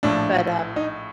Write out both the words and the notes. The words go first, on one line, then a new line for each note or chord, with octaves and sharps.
but, um
A#1 A2 F3 D4
D#4